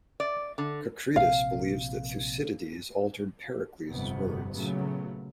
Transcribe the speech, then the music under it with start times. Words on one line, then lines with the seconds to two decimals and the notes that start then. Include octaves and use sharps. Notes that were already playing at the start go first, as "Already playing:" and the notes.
Kakridis believes that Thucydides altered Pericles words.
0.20 D5
0.58 D3
1.16 A#1 C3 F5
3.89 G1 F2 C3 B3
4.54 A#2 C#3 F#3 A3 B3